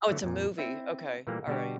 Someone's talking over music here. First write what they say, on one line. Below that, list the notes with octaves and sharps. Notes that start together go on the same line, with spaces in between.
Oh, it's a movie, okay, all right.
D3 E3 F#3 A3
F2 A#2
C4 E4 E5
A#2 E3 G3 A3 A#3
B2 D3 G3 D4 F#4 G4